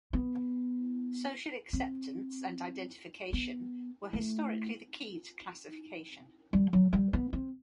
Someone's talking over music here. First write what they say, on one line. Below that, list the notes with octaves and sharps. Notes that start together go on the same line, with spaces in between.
Social acceptance and identification were historically the key to classification.
B3
C4
B3
A3
G3
F#3
G3
B3
C4